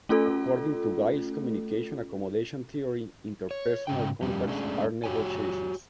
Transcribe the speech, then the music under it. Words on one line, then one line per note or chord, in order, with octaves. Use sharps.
According to Giles' Communication Accommodation Theory, interpersonal contacts are negotiations.
A3 C#4 F4 A4
C#5
G#2 C#3 G5
F2 G3 C#4 G4
G#3 A3 C#4 D4 G#4
F#4 G4 C#5 G5 G#5